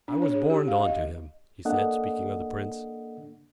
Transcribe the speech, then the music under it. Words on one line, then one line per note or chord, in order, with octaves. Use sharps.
"I was borned on to him," he said, speaking of the Prince.
D4
C#5
G#4
G4
F5
D#5
A#3 D4 A4 D#5 F#5